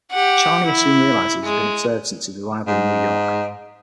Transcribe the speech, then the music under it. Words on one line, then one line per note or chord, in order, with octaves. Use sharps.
Charnier soon realizes he has been observed since his arrival in New York.
G4 F#5
E4
G#3
G#2